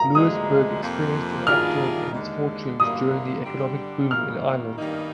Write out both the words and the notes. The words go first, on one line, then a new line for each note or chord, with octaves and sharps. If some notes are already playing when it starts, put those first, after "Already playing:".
Louisburgh experienced an upturn in its fortunes during the economic boom in Ireland.
Already playing: A#5
D2 D3 F3 G#3 D#6
F2 C3 F3 A#3
D#3 G3 D4 F4 G#4 F6
D#2 D3 G#3
D3 G3 A#3 D#6
G2 D3 G3 D4 G4
D#3 G3 A#3 F6
G2 D#3 G3 A#3 D#4